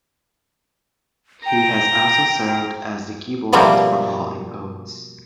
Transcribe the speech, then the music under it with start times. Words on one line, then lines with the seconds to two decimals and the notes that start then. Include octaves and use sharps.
He has also served as the keyboardist for Hall and Oates.
1.46 G5 A#5
3.53 B2 F3 G3 A3 A#3 C4